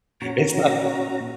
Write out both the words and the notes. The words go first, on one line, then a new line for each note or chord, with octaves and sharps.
It's not
A#2 C#4 F#4 A#5